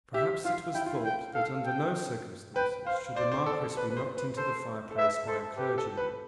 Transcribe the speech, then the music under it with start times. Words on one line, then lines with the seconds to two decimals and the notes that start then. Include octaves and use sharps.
Perhaps it was thought that under no circumstances should a Marquis be knocked into the fireplace by a clergyman.
0.14 G4 E5
0.44 F4 F5
0.74 E4 G5
0.86 F4
0.95 E4
1.05 G5
1.34 A4 F5
1.65 G5
2.55 B4 G5
2.86 C5 F5
3.16 C5 D5
3.32 C5
3.46 A4
3.61 A4
3.77 B4
3.91 B4
3.97 C5
4.17 B4
4.37 A4 C5
4.91 A4
4.98 B4 E5
5.27 A4 C5
5.57 G4 B4
5.78 A4
5.97 B4